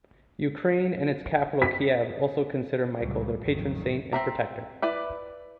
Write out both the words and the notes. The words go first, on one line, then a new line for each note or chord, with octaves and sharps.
Ukraine and its capital Kiev also consider Michael their patron saint and protector.
B6
C#2 A#2 C#3 F#3 G3
A#1 F2 A2 D#3 F#3
C4 E5 A#5
E4 B4 D5